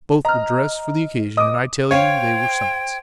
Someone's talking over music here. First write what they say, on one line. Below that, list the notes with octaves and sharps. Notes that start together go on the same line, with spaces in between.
Both were dressed for the occasion, and I tell you they were sights!
D#5 A#5 F6
D#5 D6 D#6
C5 C#5 F5 G5 G#6